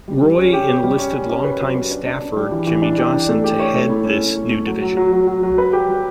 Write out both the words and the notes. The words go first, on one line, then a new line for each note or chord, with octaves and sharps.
Roy enlisted longtime staffer Jimmy Johnson to head this new division.
G3
G3
C#4
G4
G4
G3
C#4
C#4
C#4
B4
F#3
B4
D4
D4
D4
G3
E3
E3
D4
G4
D4
A3
G4
C#5
A3
E4
C#4
A3
A3
A3
F#3
F#3
F#3
F#3
F#3
F#3
B4
G4
G3